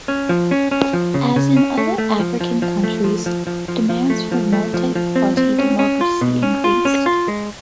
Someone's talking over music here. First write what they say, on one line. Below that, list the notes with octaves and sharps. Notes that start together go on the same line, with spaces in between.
As in other African countries, demands for multi-party democracy increased.
C#4
F3
C#4
C#4
F3
C#3
C#3
C#4
A3
A3
F3
F3
F3
A3
F3
F3
F3
F3
F3
A3
F3
A3
F3
F3
C4
C4
C#4
C#4
F4
B2
C#4
F4
C#4
F4
G#3